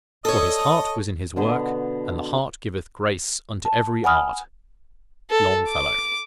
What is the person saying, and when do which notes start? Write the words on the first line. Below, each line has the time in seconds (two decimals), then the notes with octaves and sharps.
For his heart was in his work, and the heart Giveth grace unto every art. --LONGFELLOW.
0.25 A4 C#5 D#5 D#6
1.36 B2 D3 B3
3.65 A5
4.04 F#5 G#5 B5 D#6 F6
5.30 A4
5.68 D6